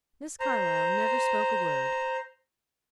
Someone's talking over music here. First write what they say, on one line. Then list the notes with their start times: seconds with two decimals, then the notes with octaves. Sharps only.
Miss Carlyle never spoke a word.
0.40 C5 A#5